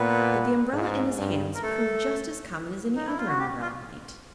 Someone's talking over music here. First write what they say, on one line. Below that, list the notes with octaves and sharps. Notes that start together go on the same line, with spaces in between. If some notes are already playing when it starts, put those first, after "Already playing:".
But the umbrella, in his hands, proved just as common as any other umbrella might.
Already playing: A#2 B3 B4
G#2
G2
A#4
A3 A4
D#4
E4
F4
F#4
G4
F4